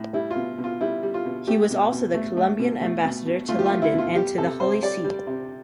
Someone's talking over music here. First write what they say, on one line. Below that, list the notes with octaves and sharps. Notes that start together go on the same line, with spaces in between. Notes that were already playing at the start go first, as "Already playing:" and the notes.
He was also the Colombian ambassador to London and to the Holy See.
Already playing: A2
G3 E4
F4
B2
B2
F4
G3 E4
G3
F4
B2
A3 G4
B2
B2
A3
A3
B2
A3
B2
B2
A3 F4
G4
F4
A3
E4
B2
F4
G3 G4
C3 A4
C3 C5
G3 D5
G3
C3